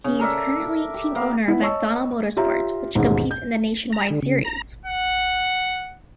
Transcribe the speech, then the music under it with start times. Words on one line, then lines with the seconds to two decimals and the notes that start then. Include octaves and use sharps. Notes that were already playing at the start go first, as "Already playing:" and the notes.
He is currently team owner of MacDonald Motorsports, which competes in the Nationwide Series.
0.04 C#3
0.19 A4 A#4 D5 E5
0.94 G4
1.15 A#3 B3 F5
1.48 B3 E4
1.62 C#5 D#5 A5 C#6 E6
2.37 F4 G4 C#5 E5 A#5
2.95 A1 D#2 G#2 B2
3.31 G6
3.93 A#5
4.10 D3
4.22 C#3
4.45 A#5
4.85 F#5